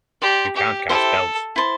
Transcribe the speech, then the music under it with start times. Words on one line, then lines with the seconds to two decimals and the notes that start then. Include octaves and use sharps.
You can’t cast spells.
0.22 G4 D5 A5 C6
0.56 G4
0.89 E4 G4 A4 C5 E5
1.56 E4 C5 A5